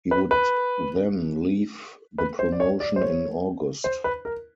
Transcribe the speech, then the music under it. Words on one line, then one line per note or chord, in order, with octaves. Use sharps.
He would then leave the promotion in August.
B4
B4
B4
C5
D5
C#5
D5
C5
C#5
C5
B4
A#4